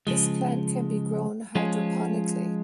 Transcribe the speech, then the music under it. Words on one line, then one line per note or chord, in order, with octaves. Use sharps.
This plant can be grown hydroponically.
C#3 F3 G#3
F3 G#3 C#4 F4